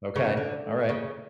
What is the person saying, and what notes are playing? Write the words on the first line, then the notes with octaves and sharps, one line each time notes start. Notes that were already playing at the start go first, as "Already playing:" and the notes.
Okay. Alright.
C#3
D3
C#3